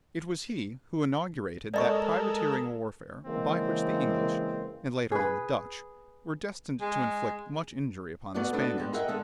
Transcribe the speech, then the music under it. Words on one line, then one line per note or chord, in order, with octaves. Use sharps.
It was he who inaugurated that privateering warfare by which the English, and later on the Dutch, were destined to inflict much injury upon the Spaniards.
G#3 A4 A#4 D5 D#5 C#6
C#3 E3 G#3 A#3 C4
G#4 B4
G#3
A3 B3 F#4 G#4 D5 F#5
A3 B3 D4 F#4 A4
G3 G#3
G#4 A#4 D#5 E5 F#5 G5
D3 G#3 A4